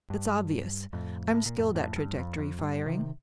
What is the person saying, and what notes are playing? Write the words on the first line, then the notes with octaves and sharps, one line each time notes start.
It's obvious: I'm skilled at trajectory firing.
G2
F2 A2
A2
A#2
F2 A2
F2 A2
G2
F2
F2
G2
C3 D#3